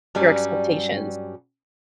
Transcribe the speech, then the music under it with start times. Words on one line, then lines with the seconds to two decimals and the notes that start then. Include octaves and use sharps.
your expectations.
0.15 G2 F#3 G3 C#4